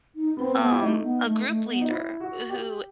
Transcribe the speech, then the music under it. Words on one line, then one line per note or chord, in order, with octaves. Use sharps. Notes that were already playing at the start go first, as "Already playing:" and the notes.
um, a group leader, who
D#4
B3 C4
B3 C4
E4
A3 D#4
B3
A3
A3
B3
D#4
E4
F#4
G4